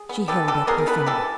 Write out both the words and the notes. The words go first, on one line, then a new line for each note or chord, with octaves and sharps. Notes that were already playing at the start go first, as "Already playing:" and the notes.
She held up her finger.
Already playing: G#4
B3
E3 G4 A4
E3 G4 A4
B3 G#4 A#4
A#4
E3 A4 B4
E3 G4 A4